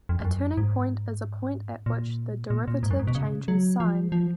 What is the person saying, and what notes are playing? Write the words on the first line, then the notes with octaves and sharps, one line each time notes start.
A turning point is a point at which the derivative changes sign.
F2
F2
F#2
G#2
A#2
A#2
A#2
G#2
F#2
G#2
B2
C#3
F#3
F3
F3